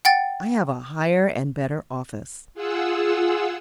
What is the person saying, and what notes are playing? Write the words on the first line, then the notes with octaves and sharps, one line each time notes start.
I have a higher and better office.
F#5 G5 A6
F4 G#4 F#5 E6